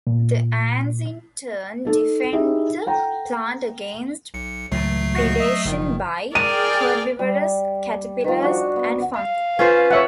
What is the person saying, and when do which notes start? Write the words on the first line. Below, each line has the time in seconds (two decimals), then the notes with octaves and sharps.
The ants in turn defend the plant against predation by herbivorous caterpillars and fungi.
0.07 A#2
1.85 D#4 A4
2.33 D#4 E4 G4 G#4 E5
2.86 A4 F#5 G5 A#5
4.34 B1 C#7
4.71 C#2 A2 E3 F#3 A3 C7
5.15 D#2 F#4 C#6
5.39 D#5 E5
5.65 F#1 B2 D#3 F3
6.35 G#4 A#4 D5 G5 F6 D#7
7.19 G3
8.24 D#3 F3
8.42 D4 F#4 C5
8.76 B3
9.15 F5
9.59 C#4 F4 B4 C5
9.91 C#5 E5 F#5